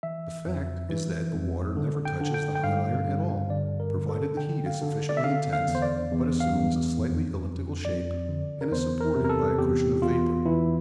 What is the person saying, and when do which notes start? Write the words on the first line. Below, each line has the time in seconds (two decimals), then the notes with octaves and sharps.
The fact is that the water never touches the hot iron at all, provided the heat is sufficiently intense, but assumes a slightly elliptical shape and is supported by a cushion of vapor.
0.03 E3 E5
0.46 F2
0.90 E3
1.34 F2
1.77 D3
2.05 G5
2.21 D3
2.34 G5
2.55 G5
2.63 G2 F5
3.07 G2
3.50 D3 D5
3.80 A#4
3.94 D3
4.09 A4
4.37 D3 G5
4.66 F5
4.82 D3
5.09 D5
5.17 E5
5.24 D3 F5
5.53 F5
5.68 E2
5.75 C5
5.82 D5
6.11 E2
6.40 F5
6.55 E2
6.99 F2
7.41 F2
7.85 F2 D5
8.28 D3
8.61 A#4
8.72 E2 C5
9.00 A#4
9.16 C3
9.25 A#4
9.29 A4
9.58 E2 G4
10.02 E2 F4
10.46 E3 E4